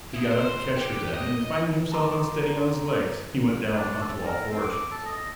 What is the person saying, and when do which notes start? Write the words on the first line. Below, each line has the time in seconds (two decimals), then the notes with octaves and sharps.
He got up to catch her then and finding himself unsteady on his legs, he went down on to all fours.
0.14 E4 D#5
0.31 C5
0.76 G4
1.14 D#5
1.92 A5 A#5 C6 D6
3.74 D4
4.01 A4
4.25 A#4
4.51 C4
4.64 D6
4.91 A4
5.06 D#5